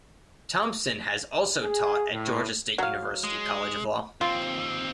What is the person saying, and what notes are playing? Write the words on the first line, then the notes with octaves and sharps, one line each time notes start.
Thompson has also taught at Georgia State University College of Law.
G#4
A2
F#3 F5
G#3
D#2 C4 F4